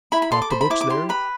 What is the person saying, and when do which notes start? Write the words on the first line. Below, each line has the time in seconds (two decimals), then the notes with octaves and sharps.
Got the books there?'
0.12 E4 B5
0.22 B5
0.32 A4 C6
0.42 D6
0.51 C5 B5
0.61 B5
0.70 E4 D6
0.81 D6
0.90 G4 C6
1.09 B4 B5